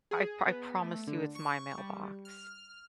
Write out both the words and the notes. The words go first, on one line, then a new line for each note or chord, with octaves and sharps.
I I promise you it's my mailbox.
G#4
B3
A3
D3
C#6
G3
F6